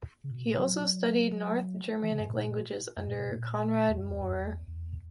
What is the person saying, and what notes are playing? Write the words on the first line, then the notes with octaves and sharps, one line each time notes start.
He also studied North Germanic languages under Konrad Maurer.
C#3
A#2
B2
A#2
F#3
E3
C#3
G2
A#2
F#2
A#2
B2
A#2
E2
F#2
E2
F#2
E2
E2